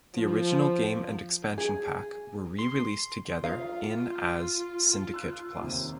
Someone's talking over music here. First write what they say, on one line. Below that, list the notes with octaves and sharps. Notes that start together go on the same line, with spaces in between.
The original game and expansion pack were re-released together in as Syndicate Plus.
F3
G#4
C6
F4 F5 D#6
E6 F#6
D#2 C3